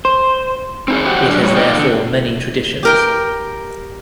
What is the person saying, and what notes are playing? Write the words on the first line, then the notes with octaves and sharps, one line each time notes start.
It has therefore many traditions.
C5
C4 D#4 G#4
F#4 G4 C5 F#5 G5
F#3 D4 F#4
A2 G3 G#3 C#5
A#3 D#4 F4 D5 F5 G5
D3
G4 A#4 G5